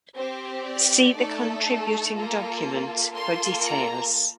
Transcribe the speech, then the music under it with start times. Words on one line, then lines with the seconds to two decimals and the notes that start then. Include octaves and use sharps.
See the contributing document for details.
0.17 C4 G4 C5
0.66 D5
1.16 A3 D#4 A4
2.15 A#3 F4 A4 A#5
3.14 A#3 F4 A4 C6
3.63 A#5